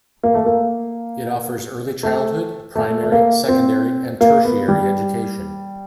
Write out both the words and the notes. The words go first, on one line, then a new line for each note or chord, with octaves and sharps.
It offers early childhood, primary, secondary and tertiary education.
A#3
A3
A#3
A3
A3
A3
A#3
C4
A#3
B3
G3